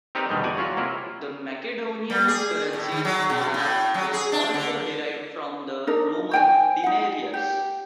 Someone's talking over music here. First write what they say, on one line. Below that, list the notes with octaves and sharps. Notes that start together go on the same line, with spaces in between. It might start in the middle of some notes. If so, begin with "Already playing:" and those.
The Macedonian currency "denar" is also derived from the Roman denarius.
C4 D#4 G4 A#4 B4 D5
E2 B2 D3 D#3 G3 G#3
E2 F#4 D5 G#5
F#3 C#4 F4 F#4
C3 A#3 C#4 E4 F4
G3
G#4
A2
D#3
F#3
B2
A2
F#3
G#4
D4
D3
D4 D#4 A#4
C5 G5 G#5
D#4 F#5
G4